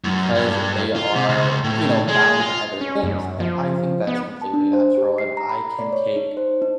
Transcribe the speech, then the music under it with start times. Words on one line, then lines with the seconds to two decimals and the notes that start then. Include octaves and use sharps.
because they are, you know, bound to other things. And I think that's completely natural, and I can take,
0.04 F#2
0.35 G2
0.96 F4
1.15 C3
1.29 C#2
1.64 A2
2.08 G#3
2.40 F4
2.81 C#4
3.03 F#2
3.40 F3
4.07 B3
4.42 A5
4.54 D4
4.73 C5
4.98 G4
5.18 C7
5.37 A#5
5.50 B5
5.79 D5
5.93 C#5
6.16 D#4
6.37 C5
6.62 D#4